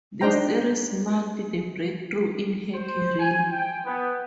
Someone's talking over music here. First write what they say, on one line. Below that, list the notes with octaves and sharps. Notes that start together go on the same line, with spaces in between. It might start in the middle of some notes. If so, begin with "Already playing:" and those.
The series marked the breakthrough in her career.
D4 D#4 C5 G5 A#5
C5
G#5
G5
B3